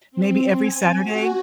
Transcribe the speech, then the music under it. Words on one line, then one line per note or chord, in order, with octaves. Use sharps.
maybe every Saturday
C4
G#5
F#4